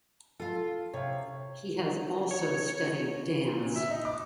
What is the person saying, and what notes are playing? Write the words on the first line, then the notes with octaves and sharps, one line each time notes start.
He has also studied dance.
F4 A4 F5
C3 C#5 F5
C#5
A#2
E5
D#4
D6